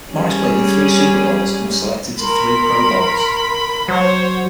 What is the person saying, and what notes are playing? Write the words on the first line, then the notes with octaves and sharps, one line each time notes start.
Morris played in three Super Bowls and was selected to three Pro Bowls.
G3 C#4 G#4
A#4 B5 C6
F#3 C5 C#5 F#5